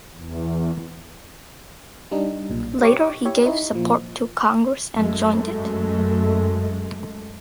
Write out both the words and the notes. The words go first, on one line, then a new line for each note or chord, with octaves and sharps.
Later he gave support to Congress and joined it.
E2
G3 D4 D#4
B1 A#2
G4 C#5 C#6 D6
E4 G4 C#5 E5
D#4 E4
A#2 F3
F#2 G#3 A3